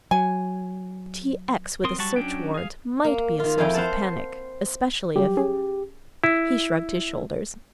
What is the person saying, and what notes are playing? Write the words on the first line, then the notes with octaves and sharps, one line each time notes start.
T. X. with a search warrant might be a source of panic especially if--he shrugged his shoulders.
F#3 G#5
C4 A#4 C6 D#6
F#3 G3 F#5 A5 C#6
F#3 C#4 D4 G5
G#4 F5
A#3
D#3 F4
F2 F3 E4 F5 G5 G#5
C5 F5 F#5 A5
F#3 G3 G4
C#4 G#4
E4